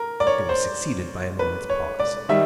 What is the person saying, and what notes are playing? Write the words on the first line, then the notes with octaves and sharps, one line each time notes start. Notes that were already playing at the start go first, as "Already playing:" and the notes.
It was succeeded by a moment's pause.
Already playing: A#4
D5
C#5
C5
B4
C#5
D5
D#3 G3 E5